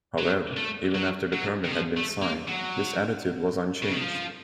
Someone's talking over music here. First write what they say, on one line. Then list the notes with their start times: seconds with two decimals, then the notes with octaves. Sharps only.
However, even after the permit had been signed, this attitude was unchanged.
0.19 F#3
0.57 A3
0.95 F#3
1.33 F#3
1.65 D#3
1.72 F3
1.97 A3
2.22 A#3
2.48 F#3
3.82 C#3
3.92 D#3
4.01 F3